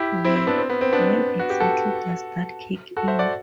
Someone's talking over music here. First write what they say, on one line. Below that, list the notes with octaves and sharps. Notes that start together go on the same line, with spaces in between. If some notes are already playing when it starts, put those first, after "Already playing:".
Well, when exactly does that kick in?
Already playing: E4 G4
C4 E4
C4 E4
B3 D4
C4
B3
C4
B3 D4
F#4
G4
F#4 A4
F#4 A4
C5 E5
D5 F#5